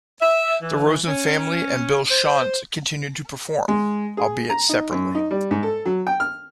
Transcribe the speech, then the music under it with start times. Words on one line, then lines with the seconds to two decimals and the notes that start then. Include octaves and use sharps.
The Rosen Family and Bill Shontz continue to perform, albeit separately.
0.21 E5
0.62 E3
1.08 C#4
2.11 C5
3.68 G#3
4.17 G#4
4.50 A#5
4.69 D#4
4.92 F#2
5.15 D#4
5.31 G3
5.51 G#2
5.63 A4
5.85 F#3
6.07 G5
6.20 F6